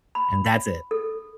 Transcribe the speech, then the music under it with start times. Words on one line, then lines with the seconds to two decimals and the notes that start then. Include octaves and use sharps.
and that's it.
0.15 B5
0.91 A4